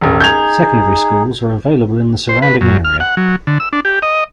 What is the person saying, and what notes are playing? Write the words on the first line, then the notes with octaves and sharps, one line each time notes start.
Secondary schools are available in the surrounding area.
E1 A1
D#4 G#4 G6 G#6 F7
C5
B4
F#2
F6
F#5
F#3
D3
E6
D4
G4
D#5